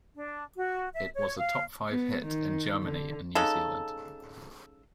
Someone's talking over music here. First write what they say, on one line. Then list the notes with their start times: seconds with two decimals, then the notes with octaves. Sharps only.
It was a top five hit in Germany and New Zealand.
0.15 D4
0.56 F#4
0.94 E5
1.15 C#5
1.38 F5
1.91 B3
2.25 D#3
2.82 D3
3.35 C#3 G#3 D#4 A4